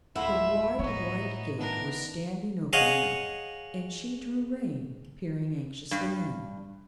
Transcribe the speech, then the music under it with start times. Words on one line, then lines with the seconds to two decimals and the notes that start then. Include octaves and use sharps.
The wide white gate was standing open now, and she drew rein, peering anxiously in.
0.15 D1 A3 E4 F4 E5 F#5
0.79 A2 B3 D#4 C#5 C#6
1.58 D#3 A3 B3 D4 A#4
2.73 G#4 C#5 D#5 F5 F#5
5.91 G2